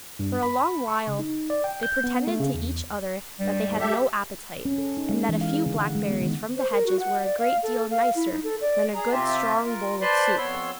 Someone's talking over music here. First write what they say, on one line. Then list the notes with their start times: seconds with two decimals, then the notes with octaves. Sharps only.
For a long while whey pretended to each other that they had no appetite, and that a few blackberries from the hedges were a great deal nicer than a good strong bowl of soup.
0.19 G2
0.43 B5
0.88 C#6
1.07 C#3
1.19 D#4
1.50 D5
1.64 G5
1.83 G6
2.04 B3
2.27 A3
2.40 C#3
2.54 E2
3.39 G2 G3
3.66 D#2 G#2
3.79 G4 A4 E5
4.65 C#4
4.78 A4
4.97 D#4
5.09 G#3
5.29 E3
5.41 F5
5.53 G#4
5.66 D3
5.80 F#5
5.95 G#3
6.10 B3
6.22 D#3
6.56 C5
6.71 A#4
6.87 F#4
7.00 F#5
7.24 D5
7.39 F5
7.63 A4
7.91 F5
8.15 E4
8.32 D#4
8.44 A4
8.61 D5
8.93 G#4 A#5
9.12 C3 C4 F4 G4 E5
9.65 F4 A#4
10.01 B4 C5 D5 A5 B5 C6
10.38 F2 B3 C#5 C6 E6